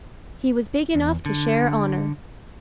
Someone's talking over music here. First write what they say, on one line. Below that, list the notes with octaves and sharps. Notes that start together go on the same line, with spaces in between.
He was big enough to share honor.
E2
D3